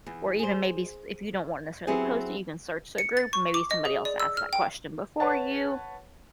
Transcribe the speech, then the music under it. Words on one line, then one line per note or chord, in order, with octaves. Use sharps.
Or even maybe s if you don't wanna necessarily post it, you can search the group. Maybe somebody else asked that question before you
E2
G#4 C5
F#3 B3 C4 E4 G4 G#4
C#7
A6
C#6
D6
D#5
G#4
D5
E6
F6
G5
B4 C#5 F#5 A5